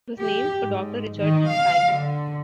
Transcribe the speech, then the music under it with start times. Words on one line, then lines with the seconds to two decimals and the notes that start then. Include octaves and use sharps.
It was named for Doctor Richard E. Banks.
0.19 G4
0.63 G#2
1.17 D#3
1.48 F5
1.93 D3